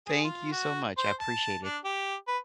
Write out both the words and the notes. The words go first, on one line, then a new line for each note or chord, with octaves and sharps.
Thank you so much, I appreciate it.
G#4
F4
F#4
C5
A5
D4
G4
B4